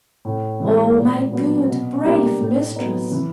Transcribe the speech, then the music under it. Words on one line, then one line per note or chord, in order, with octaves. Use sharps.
O my good, brave mistress!
A2
E3 G#3
A#2
F#3 B3
B2
G3 A#3 D4 G4
A2
F#3 B3 D#4
E3